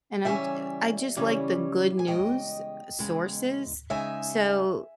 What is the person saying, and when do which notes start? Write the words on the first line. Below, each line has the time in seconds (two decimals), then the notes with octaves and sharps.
and I'm j eh, I just like the good news sources. So,
0.25 C#3 E3 G3 C#4 E5 G#5
1.17 C#3 E3 G3 C#4
1.99 G#5
2.07 E2 C#3 G#3 D#5 G5
2.99 E2 C#3 G#3
3.90 C#3 G#3 D#4 E5 G#5